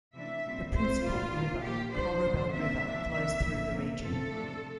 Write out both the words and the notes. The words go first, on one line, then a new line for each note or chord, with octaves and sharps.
The principal river, Corubal River, flows through the region.
C3 E3 A3 D4 E5
A#2 G3 C4
E3 G3 C4 C5
A#2 G3 A#3 D4 F4
A#2 G3 A#3 D4
A#2 F3 A#3 G4
E3 G3 D4 C5
A#2 G3 D4
C3 F3 A#3 D4 E5
C3 E3 A#3 D4
C3 F3 A#3 D4 E5
A2 E3 A#3
C3 F3 A#3
A2 F3 C4 A4
C3 F3 A3 D4